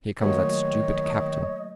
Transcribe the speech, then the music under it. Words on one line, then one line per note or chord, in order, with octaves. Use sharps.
"Here comes that stupid captain."
D#3 F#3 A3 A#3 C#5 D#5 F#5